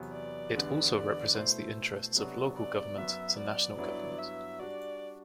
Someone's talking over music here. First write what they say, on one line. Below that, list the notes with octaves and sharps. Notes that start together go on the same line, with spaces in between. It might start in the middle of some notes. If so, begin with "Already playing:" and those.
It also represents the interests of local government to national government.
Already playing: E2 C3 F#3 B3
D5
E2 D3 G3 B3
D5
B2 A3 E4 A4 C5
C3 F#3 B3 D4 F#4
D5
F#2 F#3 B3 E5
D5
G2 F#3 B3 E4 B4 D5
E5
G3 D4 F#4 D5